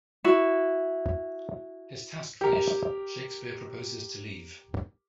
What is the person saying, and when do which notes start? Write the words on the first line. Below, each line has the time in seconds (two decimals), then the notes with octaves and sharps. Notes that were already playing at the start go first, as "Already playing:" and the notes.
His task finished, Shakespeare proposes to leave.
0.24 E4 F#4
2.41 G4 A#4